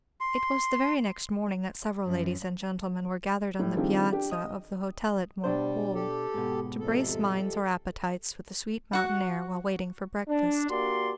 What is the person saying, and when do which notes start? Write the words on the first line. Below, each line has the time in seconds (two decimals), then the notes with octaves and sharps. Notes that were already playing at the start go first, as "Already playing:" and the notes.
It was the very next morning that several ladies and gentlemen were gathered on the piazza of the hotel at Montepoole, to brace minds or appetites with the sweet mountain air while waiting for breakfast.
0.20 C6
2.06 F#2
3.59 A2 G3
3.76 D#3 F3 G3 C4 D4 G#4
4.12 D4 G4
4.31 D#5 D#6
5.44 B2 G3 D4 C5
5.95 G4 A4
6.34 G#2 B2
6.80 F2 C3 A4
8.93 F#4 F#5
10.28 D4
10.69 A#3 F#4 G4 D5 C6